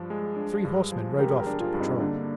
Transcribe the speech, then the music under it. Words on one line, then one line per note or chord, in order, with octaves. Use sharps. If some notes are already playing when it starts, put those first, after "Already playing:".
Three horsemen rode off to patrol.
Already playing: G2 F3 D4
G#3
D4
G2
F3
G#3 G4 A#4
G#4
G4 A#4
D4
F4 G#4
G2
C4 D#4
D3 A#3 D4